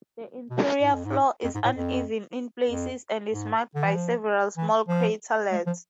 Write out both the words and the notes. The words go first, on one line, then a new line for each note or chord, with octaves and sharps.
The interior floor is uneven in places and is marked by several small craterlets.
B2
G#2
F2
G#2
F2
G#2
A2
F2
F2
G#2
D3
E3
F3
E3
F3
G#3
F3